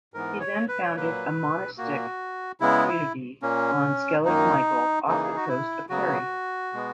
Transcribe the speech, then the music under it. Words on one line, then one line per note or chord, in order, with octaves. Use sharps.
He then founded a monastic community on Skellig Michael, off the coast of Kerry.
G#2 E3 B3 A#4
C#5
B4
C#5
A#2 F#3 A#3 B4
A#2 A#3 F#4
C#3 G#3 B3 E4
E4
A#2 A#3 C#4
F#2 D#3 A#3 D#4
C#3 E3 A#3 D#4
G#4
F#4
E4
C#3 F#3 B3 F#4
B2 G#3 B3